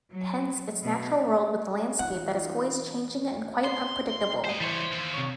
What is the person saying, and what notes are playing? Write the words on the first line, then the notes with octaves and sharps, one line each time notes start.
Hence, its natural world with a landscape that is always changing and quite unpredictable.
F#3
B2
B1 E3 D#4 F4 F#5
C6
C5 D#5
E3 G3 E4 C5 C#5
D#2
C3 C#5